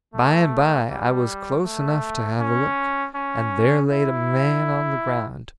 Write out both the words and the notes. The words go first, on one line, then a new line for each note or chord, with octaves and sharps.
By and by I was close enough to have a look, and there laid a man on the ground.
A3
G3
A3
C#4
C#4
E4